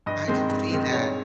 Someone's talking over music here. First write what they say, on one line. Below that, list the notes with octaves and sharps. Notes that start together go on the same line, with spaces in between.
I could see that.
G2 D#5
D#3 G#3 C4
G2
D#3 G#3 C4
G2 C#5